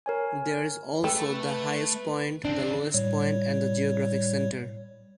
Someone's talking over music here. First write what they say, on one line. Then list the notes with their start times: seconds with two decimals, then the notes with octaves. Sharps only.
There is also the highest point, the lowest point, and the geographic center.
0.06 A#4 C#5 G#5
1.04 A3 A4 B4 G5
2.45 D3 C4 D4
2.94 A2 G3 C#5